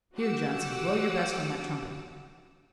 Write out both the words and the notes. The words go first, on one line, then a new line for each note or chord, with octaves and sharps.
Here, Johnson, blow your best on that trumpet.
F#4 G4 F#5 D6 E6